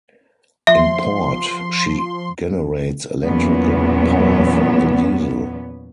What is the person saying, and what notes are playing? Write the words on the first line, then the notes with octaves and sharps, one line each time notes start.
In port, she generates electrical power from the diesel.
F3 E5 C6
E2 A#2 F#3 B3 C#4